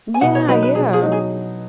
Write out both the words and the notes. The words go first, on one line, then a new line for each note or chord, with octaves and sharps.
Yeah, yeah.
G#5
B2 F#5
C#5
F#3 D#4 B4
B4
B2 G#4
G#4
F#3 D#4
G#4